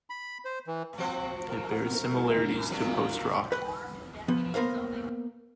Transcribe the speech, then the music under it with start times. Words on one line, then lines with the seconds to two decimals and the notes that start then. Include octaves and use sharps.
It bears similarities to post-rock.
0.10 B5
0.45 C5
0.67 E3
0.98 F3 C4 F#4 C5
1.48 A#4
2.68 G2 C3 F#3
3.52 B4
4.28 F3 B3
4.54 A#3 B3 A#4 C5 F5